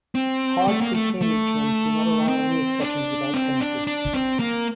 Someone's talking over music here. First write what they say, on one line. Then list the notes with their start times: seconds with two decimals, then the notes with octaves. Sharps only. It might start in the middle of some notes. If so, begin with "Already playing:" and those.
"Hard" prepayment terms do not allow any exceptions without penalty.
0.15 C4
0.68 A3
0.81 A#3
0.95 A3
1.22 A3
2.28 C4
2.80 D4
3.34 C4
3.61 D4
3.87 D4
4.14 C4
4.40 A#3